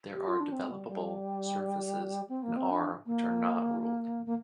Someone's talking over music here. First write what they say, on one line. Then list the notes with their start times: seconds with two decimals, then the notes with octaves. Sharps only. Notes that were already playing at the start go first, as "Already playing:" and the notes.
There are developable surfaces in R which are not ruled.
0.15 G4
0.27 F4
0.40 D4
0.52 C4
0.71 G3
0.88 G3
2.29 C4
2.43 A#3
2.57 C4
2.71 D4
3.06 A#3
4.26 A#3